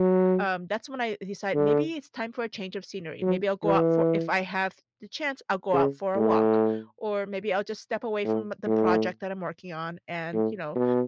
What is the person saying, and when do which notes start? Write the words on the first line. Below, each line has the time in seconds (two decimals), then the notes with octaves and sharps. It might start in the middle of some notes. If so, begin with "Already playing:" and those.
Um, that's when I decide, maybe it's time for a change of scenery. Maybe I'll go out for if I have the chance, I'll go out for a walk. Or maybe I'll just step away from the project that I'm working on, and, you know,
Already playing: F#3
1.54 D3
3.22 F#3
3.64 E3
5.73 C#3
6.15 A2
8.24 A2
8.66 A2
10.34 A2
10.75 B2